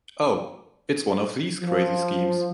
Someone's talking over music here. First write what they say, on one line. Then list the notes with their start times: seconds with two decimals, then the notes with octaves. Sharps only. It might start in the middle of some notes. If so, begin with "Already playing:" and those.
Oh — it's one of these crazy schemes.
1.63 F3